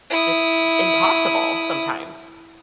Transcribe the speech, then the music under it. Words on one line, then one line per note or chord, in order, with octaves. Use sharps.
just impossible sometimes.
E4 D#6